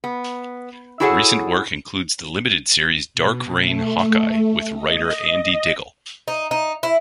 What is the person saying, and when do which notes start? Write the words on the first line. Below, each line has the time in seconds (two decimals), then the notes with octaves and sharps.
Recent work includes the limited series "Dark Reign: Hawkeye", with writer Andy Diggle.
0.04 B3
1.00 E4 F#4 G#4 A4 C#5 F#5
3.14 B2
3.54 A3
4.76 D#5
6.28 D#4
6.51 D#4
6.83 E4